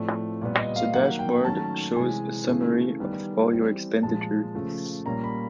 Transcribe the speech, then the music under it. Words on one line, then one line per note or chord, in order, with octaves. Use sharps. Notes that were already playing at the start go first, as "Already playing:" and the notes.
The dashboard shows a summary of all your expenditure.
Already playing: A2 F3 A3 C4 D5
A#2 G3 B3 D5
D#5
F5
D#3 F#3 A#3 F#5
G5
D#3 F#3 A3 C#4 A5
C3 E3 G#3 G#5
C#3 E3 A3
D#3 G3 B3
E3 G3 C4
A#2 F3 G#3 A5
C#3 F3 A3
A#2 G3 A#3 C#4 A#5
B5